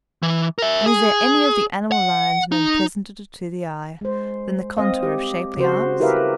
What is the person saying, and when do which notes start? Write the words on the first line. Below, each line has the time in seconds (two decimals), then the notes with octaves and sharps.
And is there any of the animal lines known pleasanter to the eye than the contour of shapely arms?
0.23 E3
0.59 A#4 E5
0.86 G#4
1.92 F#5
2.52 D#4
4.01 G#3 C5
4.77 C4 D#5 F5
5.03 G4
5.57 C#3 F#4 C5
6.00 E4 G4 A#4 B4 E5 F5